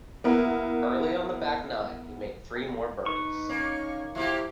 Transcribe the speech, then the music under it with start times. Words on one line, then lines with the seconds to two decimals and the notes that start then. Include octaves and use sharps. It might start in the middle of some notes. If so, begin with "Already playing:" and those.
Early on the back nine he made three more birdies.
0.24 A#3 B3 E4 A#4
3.06 D#4 B4 C#6
3.49 A#3 C#4
4.15 F3 A#3 E4 G4